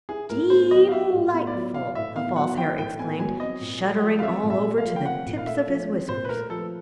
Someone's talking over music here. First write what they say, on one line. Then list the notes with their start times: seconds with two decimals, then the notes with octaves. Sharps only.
"Dee-lightful!" the False Hare exclaimed, shuddering all over to the tips of his whiskers.
0.09 E4 G#4
0.30 A2 A#4
0.50 B3 C5
0.71 F#3 D#5
0.88 F5
0.92 E4 E5
1.13 A2
1.33 B3
1.47 D5
1.54 F#3
1.74 E4 F5
1.95 A2 E5
2.16 B3 F5
2.36 F#3 F#5
2.57 E4 G5
2.78 A2 G5
2.99 B3 G#5
3.19 F#3 G#5
3.40 C4 D#5
3.61 A#2
3.81 A3
4.02 F3
4.19 F5
4.23 C4 E5
4.43 A#2
4.50 E5
4.64 A3
4.78 F5
4.85 F3
4.96 G5
5.05 C4 F#5
5.26 A#2
5.38 F5
5.47 A3 E5
5.68 F3
5.88 C4
6.09 A#2 C5
6.25 B4
6.29 A3 A#4
6.50 F3 A4